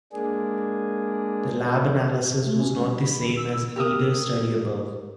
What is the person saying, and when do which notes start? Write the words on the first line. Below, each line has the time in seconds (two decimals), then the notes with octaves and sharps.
Their lab analysis was not the same as either study above.
0.13 G#3 A#3 D4 G#4
2.46 A3
2.59 C#4
2.83 G3
3.03 B5
3.19 D#3
3.37 E6
3.76 G4 A#4 E5 D#6